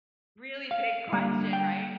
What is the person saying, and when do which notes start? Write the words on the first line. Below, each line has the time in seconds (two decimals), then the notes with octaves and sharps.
Really big question. Right?
0.71 F5
1.12 D3 G3 A#3
1.53 G5